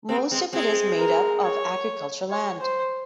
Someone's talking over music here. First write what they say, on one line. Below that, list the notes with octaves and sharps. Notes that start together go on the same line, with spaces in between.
Most of it is made up of agricultural land.
G#3 C4
G#3 C4
G#3 C4 G#4
A#4
C#5
C#5
C5